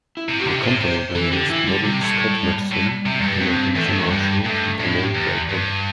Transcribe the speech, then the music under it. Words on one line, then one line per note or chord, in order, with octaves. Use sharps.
The company then used model Scott Madsen in an infomercial to promote their product.
E4
C3
G4
D3
C3
A2 C5
C3
C5
A4
E3
D3 G4
E3 E4
D3 G3
C3 G3
A2
A2
C3
E2
G2
G2 C4
E2 A3
G2
E2
G2 G3
G2 A3
A2 D4
G4
E2
G2